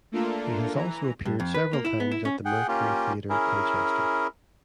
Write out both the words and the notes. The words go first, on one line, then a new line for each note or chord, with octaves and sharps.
He has also appeared several times at the Mercury Theatre, Colchester.
A3 A#3 D4 F4 A4 A#4
E3 A#5
G2
F2
B4
A#3
E4
B3
E4
C#4
G#4 F#5 G5
A#3 C#4 F4 G4
C#4 E4 G#4 A#4